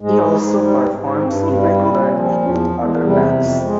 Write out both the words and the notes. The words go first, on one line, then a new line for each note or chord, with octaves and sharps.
He also performs irregularly with other bands.
G#2 G#3
G#2
G3
G#2
G2 C4
E4
G3
E4
A#2 E4
C#4
F3
C4
E2 C#4
E2
G#3
C3 G3
F2
G#3